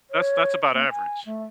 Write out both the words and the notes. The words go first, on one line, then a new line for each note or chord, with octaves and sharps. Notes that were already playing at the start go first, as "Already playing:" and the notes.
that's that's about average.
C#5
A#3
G#5
A3